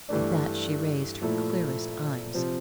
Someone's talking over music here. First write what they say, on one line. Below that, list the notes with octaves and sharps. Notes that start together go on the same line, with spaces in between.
At that she raised her clearest eyes.
G2 E3 A3 D4
A#2 F3 A3 E4
C3 F3 C4